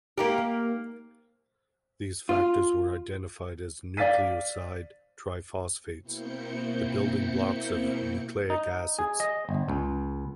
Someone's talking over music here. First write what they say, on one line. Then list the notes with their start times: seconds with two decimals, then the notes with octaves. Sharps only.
These factors were identified as nucleoside triphosphates, the building blocks of nucleic acids.
0.18 A#3 D#4 G4
2.29 F4
3.97 D5 F5 A6 B6 D#7
6.02 B2 A#3 C4 E4 G6 C#7
8.50 D#4
8.99 G#4
9.20 D#5
9.49 G1
9.68 C#2